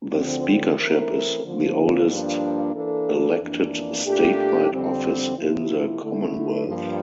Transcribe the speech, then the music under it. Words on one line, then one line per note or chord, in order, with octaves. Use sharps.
The speakership is the oldest elected statewide office in the Commonwealth.
D2 D3 F3 C4
E3 A3 C4 E4 A#4
D3 F3 A#3
G2 F3 A#3 D4
E3 A#3 D4 A4
F2 E3 A#3 D4
A#2 A3 D4 G4
F2 D3 G3 C4
C3 F3 A#3 E4
D3 A3 E4
G2 F3 A#3